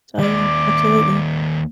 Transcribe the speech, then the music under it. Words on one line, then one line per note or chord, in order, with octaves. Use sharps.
So, yeah, absolutely.
D#2 D5 D6